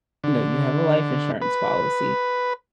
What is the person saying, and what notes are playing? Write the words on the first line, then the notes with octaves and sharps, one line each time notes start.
you know, you have a life insurance policy,
D3
B4